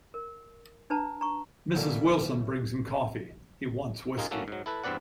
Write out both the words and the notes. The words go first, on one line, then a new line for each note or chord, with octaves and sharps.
Mrs Wilson brings him coffee; he wants whiskey.
A#4
D4 B4 A5 A#5
A#5 C#6
B2 E3 F#3 G3 A3 A#3
D#3 A#3 D#4 F4 G#4
A3 A#3 C#4 F#4 A4
G#2 F#3
E4 A4 B4
E2 G2 C4 B4 D5 F#5